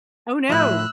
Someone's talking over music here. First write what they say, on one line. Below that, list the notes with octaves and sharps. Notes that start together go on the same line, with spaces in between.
Oh, no.
A2 F3 E4 E6 F#6